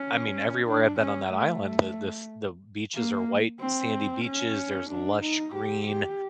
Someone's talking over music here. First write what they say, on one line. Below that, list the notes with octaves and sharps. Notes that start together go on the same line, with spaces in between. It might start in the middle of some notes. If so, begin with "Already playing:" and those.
I mean, everywhere I've been on that island, the the f the beaches are white, sandy beaches. There's lush green
Already playing: C#4
D4
C#4
A3
A#3
C4
C#4
D4
D#4
G4
G4